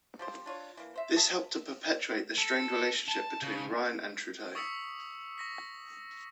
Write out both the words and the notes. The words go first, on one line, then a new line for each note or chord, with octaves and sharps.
This helped to perpetuate the strained relationship between Ryan and Trudeau.
F3 G4 C5
D4 F4 C#5
E3 A#3
C5 E5
G#4 E5 A5
A4
A5
C#3
C#6 D#6 E6 B6 C#7
C#6 A#6 B6